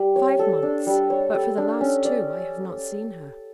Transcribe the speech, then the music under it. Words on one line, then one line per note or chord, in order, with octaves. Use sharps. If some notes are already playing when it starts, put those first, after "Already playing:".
"Five months, but for the last two I have not seen her."
Already playing: G3
C#5
A4
D4
G3
C#5
A4
D4
C#4
D5